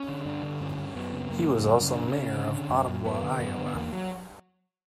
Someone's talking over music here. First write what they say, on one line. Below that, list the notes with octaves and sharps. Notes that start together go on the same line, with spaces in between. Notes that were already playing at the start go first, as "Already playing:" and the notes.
He was also mayor of Ottumwa, Iowa.
Already playing: C#4
D3
G2 D4
D3
G2 C#4
G2
F#2 B3
C#3
F#2 A#3
C#3
F#3
F#2 G3
C#3
D4
C#3
B3
C#4
C#3
D3
D3
F#2
F#2
F#2 B3
D3
F#2 B3
D3
B3
E2 A#3
F#3